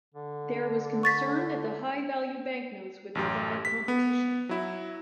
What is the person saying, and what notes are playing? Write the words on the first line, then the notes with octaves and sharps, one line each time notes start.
There was concern that the high value banknotes would provide competition.
D3
C#6 A6 B6
A1 F#2 G4
B6
B3
F#3 E4